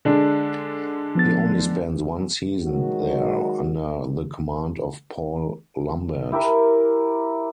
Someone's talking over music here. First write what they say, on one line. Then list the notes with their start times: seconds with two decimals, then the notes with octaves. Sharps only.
He only spends one season there, under the command of Paul Lambert.
0.05 D3 G#3 D4
1.15 F3 B3 A6
2.63 D#3 F#3 G#3 F#4
6.32 E4 G4 A#4 E5